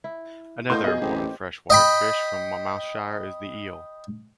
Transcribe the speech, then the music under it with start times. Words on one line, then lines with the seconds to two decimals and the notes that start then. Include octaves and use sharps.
Another important freshwater fish from Monmouthshire is the eel.
0.04 E4
0.70 A2 A#3 B3 D#4 C6 G6
0.84 B2 G#4 D#5
1.01 A1 C4 G4
1.16 G4
1.70 D#5 G5 B5